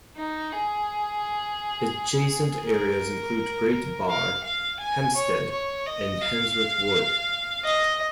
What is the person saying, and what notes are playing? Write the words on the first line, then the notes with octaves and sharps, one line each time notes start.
Adjacent areas include Great Barr, Hamstead and Handsworth Wood.
D#4
G#4
A#4
F5
F5
G#5
C#5
C#5
D#5
F5
D#5